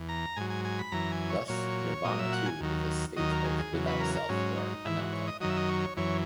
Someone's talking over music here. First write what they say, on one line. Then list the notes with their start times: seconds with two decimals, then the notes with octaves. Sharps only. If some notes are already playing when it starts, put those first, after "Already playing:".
Thus, "nirvana" too is a state of "without Self" or anatta.
Already playing: E2
0.09 A#5
0.36 G#2 F#3 G#5
0.50 G#5
0.65 G#5
0.79 B5
0.92 F#2 E3 A#5
1.12 G#5
1.30 C#5
1.48 A#2 F#3 C#5
2.05 A#2 F#3 D#5
2.19 E5
2.33 F#5
2.46 G#5
2.61 D#2 D#3 F#3
3.16 D#2 D#3 F#3 D#5
3.31 A#4
3.44 G#4
3.58 G#4
3.72 E2 C#3 F#3
3.87 B4
4.00 A#4
4.15 A#4
4.29 G#2 F#3 C#4
4.57 D#4
4.85 G#2 E3 E4
4.98 F#4
5.12 C#5
5.28 D#5
5.40 F#2 D#3 F#3 D#5
5.50 E5
5.57 D#5
5.69 C#5
5.97 F#2 E3 C#5